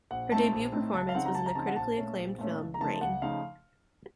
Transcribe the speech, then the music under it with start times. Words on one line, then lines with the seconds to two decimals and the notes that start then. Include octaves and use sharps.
Her debut performance was in the critically acclaimed film "Rain".
0.11 A#1 F#5
0.31 A2 A3 C4 D#4 A5
0.52 A#1
0.72 A2 A3 C4 D#4
0.93 C#2 A5
1.09 F5
1.14 C#3 F3 C4 D#4 F#5
1.26 A#5
1.35 C#2 A5
1.46 A#5
1.55 C#3 F3 C4 D#4 A5
1.67 F#5
1.76 A#1 A5
1.97 A#2 A3 C#4
2.18 A#1
2.38 A#2 A3 C#4
2.59 C#2
2.74 A#5
2.81 C#3 F3 A3 D#4 A5
3.01 C#2 F#5
3.22 C#3 F3 A3 D#4 F5